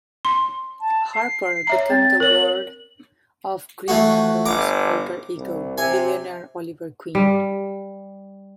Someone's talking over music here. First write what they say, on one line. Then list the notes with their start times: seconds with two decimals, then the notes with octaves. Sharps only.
Harper became the ward of Green Arrow's alter ego, billionaire Oliver Queen.
0.25 C6
0.80 A5
1.14 C7
1.67 C#5 E5 A#5
1.90 C4 A6
2.20 A#4 C#5 F#7
3.88 E3 A3 F#4
4.46 G1 A#5 D6
5.36 C2
5.78 C3 G#5
7.15 G3